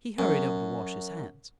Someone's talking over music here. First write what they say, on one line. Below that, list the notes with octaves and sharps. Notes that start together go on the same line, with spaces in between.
He hurried over to wash his hands.
F#2